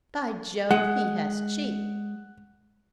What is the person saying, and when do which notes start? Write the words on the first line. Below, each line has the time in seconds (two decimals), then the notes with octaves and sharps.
By Jove, he has cheek!
0.71 G#3 F#5